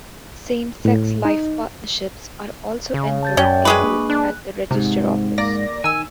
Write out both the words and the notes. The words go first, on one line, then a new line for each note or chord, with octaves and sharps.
Same sex "life partnerships" are also entered into at the register office.
A2
D#4
C#3
A5 G6 A6
F#2 C#4 D5 G5
G#3 G#4 B4 B5 C#6 D6
A#3 D4
D4 F#6
D2 G#2 C3
A#3 D5 A#6
D#3 G#5 E6